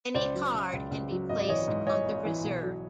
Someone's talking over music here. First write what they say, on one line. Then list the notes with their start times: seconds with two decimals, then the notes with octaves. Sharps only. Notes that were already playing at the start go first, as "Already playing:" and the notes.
Any card can be placed on the reserve.
0.15 C#2 C5 D5
0.34 F#3
0.53 C#3
0.73 C#2
0.91 C#2
1.11 F#3
1.29 G#1 D#5
1.40 D5
1.48 E3 C#5 D#5
1.68 G#2
1.86 G#3 C#5 D#5
2.05 G#1
2.25 E3
2.44 B1
2.63 F#3